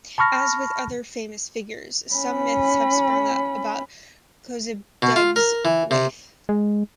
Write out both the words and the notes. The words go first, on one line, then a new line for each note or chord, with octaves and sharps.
As with other famous figures, some myths have sprung up around Kozhedub's life.
A5 B5 C#6 F6 A#6
C#4 B5
B2
F4
A#4
E3
C3
G#3